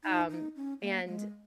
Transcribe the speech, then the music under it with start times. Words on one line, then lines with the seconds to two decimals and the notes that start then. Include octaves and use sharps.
um and
0.04 D#4
0.30 D#4
0.56 C#4
0.82 A#3
1.07 G#3